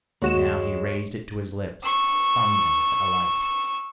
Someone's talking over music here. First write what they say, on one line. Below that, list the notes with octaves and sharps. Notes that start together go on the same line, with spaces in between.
Now he raised it to his lips, fumbling for a light.
D#2 G#3 F#4 C#5 E7
C#6 E6